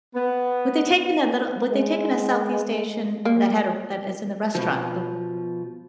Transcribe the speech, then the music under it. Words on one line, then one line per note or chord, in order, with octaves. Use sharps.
Would they take in a little would they take in a Southeast Asian that had a that is in the restaurant the
B3
G#3
A#3
B2 F3